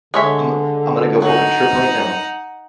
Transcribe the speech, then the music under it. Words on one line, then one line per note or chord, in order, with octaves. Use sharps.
I'm I'm gonna go book a trip right now.
D3 G#3 C#5 E5
F#3 D#4 F#5